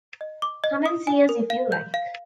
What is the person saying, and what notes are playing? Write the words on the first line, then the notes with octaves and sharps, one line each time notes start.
Come and see us if you like.
D#5
D6
D#5
D#6
G#5
A#4
F5
G6
F5